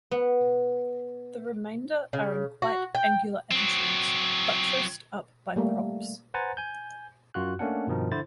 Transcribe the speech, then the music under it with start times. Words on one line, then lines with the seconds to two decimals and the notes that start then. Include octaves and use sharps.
The remainder are in quite angular attitudes, buttressed up by props.
0.11 B3
2.13 C#3
2.62 F#4
2.95 G5
3.51 F#3 C4
5.56 G3 A3 A#3
6.34 B4 C5 F#5 G#5 A#5 A6
6.57 G#5 G6
7.34 F#2 F4 F#4 F#6
7.59 A3 A#3 C#4 D4 F#5
7.87 G2 B2 D#3 F3 D#4
8.12 D3 E4 C5 A6